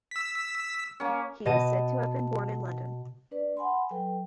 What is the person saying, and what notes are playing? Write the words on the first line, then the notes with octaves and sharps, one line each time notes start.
He is said to have been born in London.
E6 B6
A#3 C#4
B2 D#5 A5 D#7
D4 B4 D5
F#5 G#5 B5 C6
F#3 A4 B4 G5